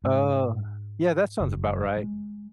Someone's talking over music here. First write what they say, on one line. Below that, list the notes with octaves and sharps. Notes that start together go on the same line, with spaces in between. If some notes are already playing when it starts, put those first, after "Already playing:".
Oh, yeah, that sounds about right.
G#2
F#1
G#3